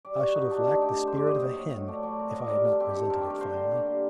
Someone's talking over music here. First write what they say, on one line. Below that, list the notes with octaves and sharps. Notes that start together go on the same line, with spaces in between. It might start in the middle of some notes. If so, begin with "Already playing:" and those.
I should have lacked the spirit of a hen if I had not resented it finally.
G3 D5
D#3 F#4
G2 D#4
G2 D4
A3 D#4
D3 G4
C4
C5
G2 D5
A#3 D#5
F#3
A2
A2
A3 D5
F#3 D5
C4 A#4
A2 D#5
D5
G3 A#4
D#3 A4
C4 G4
G2 G4 A4
C4 A#4
G4
A3 A#4
D3 C5
D3
A#3
G3